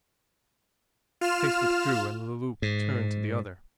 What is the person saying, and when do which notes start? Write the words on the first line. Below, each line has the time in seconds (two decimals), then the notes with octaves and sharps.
The face withdrew and Le Loup turned to the other.
1.21 F4 F6 E7
2.62 G#2